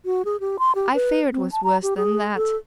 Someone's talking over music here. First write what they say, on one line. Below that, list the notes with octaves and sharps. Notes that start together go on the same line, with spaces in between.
I fear it was worse than that.'
F#4
G#4
G4
C6
G4
B4
C4
A5
A#5
G4
G#4
A4